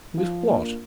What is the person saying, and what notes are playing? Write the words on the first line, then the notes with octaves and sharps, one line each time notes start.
"With what?"
F3
A#3 D4 F4 A#4